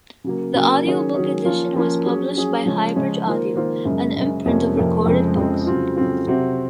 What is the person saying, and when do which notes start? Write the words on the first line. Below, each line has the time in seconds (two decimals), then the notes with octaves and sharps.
The audiobook edition was published by HighBridge Audio, an imprint of Recorded Books.
0.24 C#3 F#3 A#3
0.54 C#3 F#3 A#3
0.85 D#3 F#3 C#4 G#4 C#5
1.14 D#3 F#3 C#4 G#4 C#5
1.44 F3 A#3 C#4 F4
1.75 F3 A#3 C#4 F4
2.05 F#3 C#4 G#4
2.36 F#3 C#4 G#4
2.66 C#3 F3 G#3 C#4
2.96 C#3 F3 G#3 C#4
3.26 D#3 A#3 F4 C5
3.55 D#3 A#3 F4 C5
3.85 F#2 C#3 G#3
4.16 F#2 C#3 G#3
4.46 F2 C3 F3 A#3 C#4
4.75 F2 C3 F3 A#3 C#4
5.05 F2 C#3 F3 G#3 C4
5.36 F2 C#3 F3 G#3 C4
5.66 C#3 F#3 C4 F4
5.96 C#3 F#3 C4 F4
6.27 C3 F#3 C4 F#4